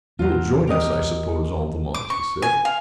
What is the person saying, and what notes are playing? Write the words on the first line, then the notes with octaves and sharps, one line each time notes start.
"You will join us, I suppose, Altamont," he said.
E2 F#3 F4
G4 A#4 D#5
D6
C#6
G#5
F5